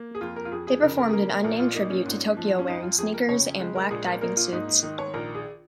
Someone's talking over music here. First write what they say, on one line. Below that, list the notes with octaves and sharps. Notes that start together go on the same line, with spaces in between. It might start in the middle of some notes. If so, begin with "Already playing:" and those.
They performed an unnamed tribute to Tokyo wearing sneakers and black diving suits.
Already playing: A#3
G#4
F2 F4
A#4
F4
F2 G#4
G#4
C#3 A#4
A#4
G#4
A#3 A#4
A#4
A#1 A#4
F4
A#3 D#4
C#4
G#2
F3
C#4
F2 D#4
F4
F2 G#4
A#4
C#3 C#5
G#3
A#4
A#1 G#4
A#4
A#3 A#4
F4
G#2 D#4
D#4
D#3 D#4
C#5
A#1 A#4
G#4